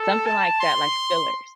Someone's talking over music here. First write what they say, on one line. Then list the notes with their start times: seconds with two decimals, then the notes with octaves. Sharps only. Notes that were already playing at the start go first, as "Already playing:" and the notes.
something like that, like fillers.
Already playing: A4
0.27 A5
0.60 C6